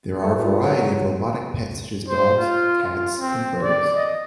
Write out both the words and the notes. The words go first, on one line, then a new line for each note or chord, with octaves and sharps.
There are a variety of robotic pets such as dogs, cats, and birds.
A3
A#2
F#3
C5
F4
F4
C4
D5
D#5